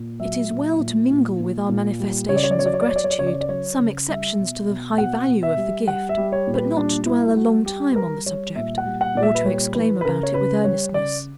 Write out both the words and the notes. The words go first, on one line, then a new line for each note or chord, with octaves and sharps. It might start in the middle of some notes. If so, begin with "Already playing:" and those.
It is well to mingle with our manifestations of gratitude, some exceptions to the high value of the gift, but not to dwell a long time on the subject, or to exclaim about it with earnestness.
Already playing: A#2
F#3 E5
A#2
A#2
A#2
A#2
A#2
G3
C#3 C#5
D5
C#5
D5
F#3 C#5
D5
C#5
D5
F#3 C#5
D5
C#5
D5
C#3 C#5
D5
C#5
D5
F#3 C#5
C#3
G3 E5
B2
B2
B2 F#5
B2
E5
G3
G3 F#5
E5
G3
C#5
A#2
B4
G3 D4
G3 E4
E4
G3 F#4
G3 G4
B4
G3 A#4
G3 C#5
A#2 E5
F#5
G3
F#5
A#2 D5
E5
B4
G3 C#5
E3 B4
B4
C#3 A#4
C#5
C#3 B4
G3 C#5
C#3 D5